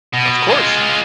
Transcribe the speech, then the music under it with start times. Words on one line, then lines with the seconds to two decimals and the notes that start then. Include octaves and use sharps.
Of course,
0.14 B2
0.49 G#3 F4